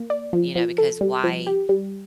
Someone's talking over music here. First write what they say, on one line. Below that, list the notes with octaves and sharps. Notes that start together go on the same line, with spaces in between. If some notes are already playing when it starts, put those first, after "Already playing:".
You know, because why
Already playing: A#3
D5
F3
F3
A4
G3
F3
G4
G3